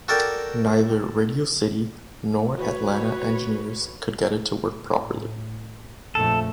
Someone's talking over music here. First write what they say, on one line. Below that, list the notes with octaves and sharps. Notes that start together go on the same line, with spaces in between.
Neither Radio City nor Atlanta engineers could get it to work properly.
F#4 A4 A#4 D5 G5
F#4 B4 C#5
A2
A#1 F2 A3 A4